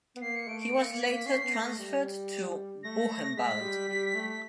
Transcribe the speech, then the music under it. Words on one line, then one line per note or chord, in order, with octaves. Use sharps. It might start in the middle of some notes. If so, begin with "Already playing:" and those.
He was later transferred to Buchenwald.
B3
A#3 C7
C#7
A3 D7
D7
A#3 C#7
A#3
B6
A#3
C#4 C7
B3 C7
A#3 A#6
A3
G3
A3 A#6
G#3 B6
G3
G3
A3
B6